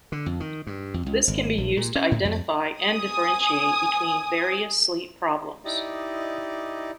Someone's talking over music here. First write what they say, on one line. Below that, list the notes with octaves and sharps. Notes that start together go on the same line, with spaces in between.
This can be used to identify and differentiate between various sleep problems.
D3
F2
D#3
G2
F2
C#2
G#1
A#1
A#2
C#4
A2
F2
G#5 D#6
D#4 E4 G4 D5 D#5